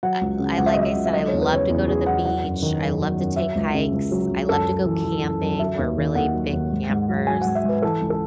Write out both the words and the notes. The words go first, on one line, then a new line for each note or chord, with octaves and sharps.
I I like I said, I love to go to the beach, I love to take hikes, I love to go camping. We're really big campers,
F#3 F#5
C#2
C#3
C#2 F#5
E5
D#5
F#3 E5
C#2
E5
F#3 D#5
C#5
E2
B4
C#3 C#5
E2
F#3 G#4
E2 F#5
F#3 F#5
F#2
D#3
F#2
F#3
F#2
F#3 E5
C#2
C#3
C#2
F#3
C#2
F#2 A4
F#2
E3
E3
F#2
F#2
F#3 E5
D#2
D#3
D#2 F#5
F#3
D#2
G#2
G#2
F#3
F#3 G#5
G#2 F#5
E5
G#2
B4
E3 A4
C#2
A4